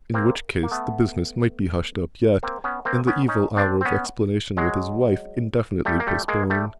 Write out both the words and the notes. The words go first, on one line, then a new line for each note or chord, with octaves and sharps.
In which case the business might be hushed up yet, and the evil hour of explanation with his wife indefinitely postponed.
A#3 C4
A#3
A3 B3
A#3 C4
B3 C#4
A#3 C4
B3 C#4
C#4 D#4
C4 D4
C4
B3 C#4
F#3 G#3
G3 A3
A#3
G3 A3
G#3 A#3
G3 A3